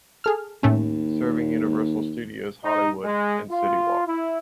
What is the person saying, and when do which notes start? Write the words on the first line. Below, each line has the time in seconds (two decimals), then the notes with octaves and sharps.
Serving Universal Studios Hollywood and City Walk.
0.24 G#4 A4 F6
0.63 D#2 A2 A3 C#4
2.64 D#4
3.04 G#3
3.50 F4
4.07 E4